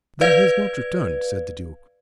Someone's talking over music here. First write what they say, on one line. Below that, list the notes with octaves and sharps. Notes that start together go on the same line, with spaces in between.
"Then he has not returned?" said the duke.
B4 D5 F5 G#6